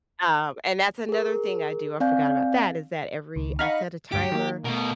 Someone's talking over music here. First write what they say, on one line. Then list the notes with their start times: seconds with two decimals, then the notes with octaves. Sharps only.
um, and that's another thing I do, I forgot about that, is that every I set a timer
1.09 G#4 A#4
2.00 C4 D5 F5 G#5 G6
3.36 C#2 D#3
3.59 D#4 D#5 F5 F#5 A#5 B5 C#6
4.12 D2 G2 G4 D7
4.32 D#3 A#3
4.65 B2 A3 A#4